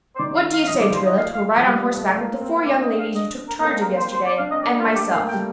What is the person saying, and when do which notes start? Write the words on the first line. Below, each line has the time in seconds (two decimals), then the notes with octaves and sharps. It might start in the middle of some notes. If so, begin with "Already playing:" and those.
"What do you say, Travilla, to a ride on horseback with the four young ladies you took charge of yesterday, and myself?"
0.16 C5
0.19 D#3 D5
0.35 F5
0.52 F5
0.63 F5
0.68 F3 D#5
0.80 G3 D5
0.90 F3 C5
1.06 D#5
1.17 F5
1.34 F5
1.57 F3
1.67 G3
1.92 A3
2.09 A3
2.16 A#3
2.41 C4
2.66 D4 D5
2.83 D#5
2.99 F5
3.15 D#5
3.48 A#4
3.59 A#3
3.64 C4 A4
3.81 A#4
3.97 C5
4.13 C5
4.26 D5
4.38 D4 F5
4.51 C4 D#5
4.63 A#3 D5
4.79 F4
4.88 A3
4.95 G4
5.12 A#3 F5
5.23 A3 G5
5.34 G3